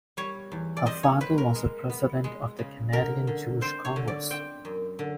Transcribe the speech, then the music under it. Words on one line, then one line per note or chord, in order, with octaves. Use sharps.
Her father was a president of the Canadian Jewish Congress.
G3 C#5
E2
D5
C4 D#5
C#5
C4 B4
A#4
G#3
B3
G#3
C#3
D3 A#4
D3
C4 C5
C#5
D3
D5
C4 G5
F#2
D3